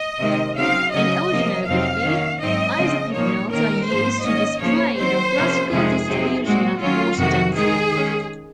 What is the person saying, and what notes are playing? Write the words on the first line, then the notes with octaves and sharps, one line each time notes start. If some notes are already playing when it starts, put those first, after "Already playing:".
In oceanography, isopycnals are used to display the vertical distribution of water density.
Already playing: D#5
C3 D#3 G#3 C4
C#3 F#3 C4 D#4 F5
C#3 F#3 C#4 D#5
C3 F3 A#3
F2 C3 F#3 C4 D#4 F5
D#3 A#3 C#4
G#2 F#3 C4 D#4 D#5
C#3 F3 G#3 C4
A#2 F3 A#3 D#4 C#5
D#3 A#3 C#4 A#4
G#2 F3 A#3 C5
G#2 D#3 A#3 C#4 D#5
C#3 F3 A#3 C#5
D#3 F#3 C4 C5
C3 F3 A#3 C#4
F2 C3 D#3 G#3 G#4
C3 F#3 C4 D#4
A#2 G#3 C4 F#4
D#3 F#3 C#4 F4
F2 C3 D#3 F#4
D#3 G#3 D#4 G#4
D#3 G#3 C#4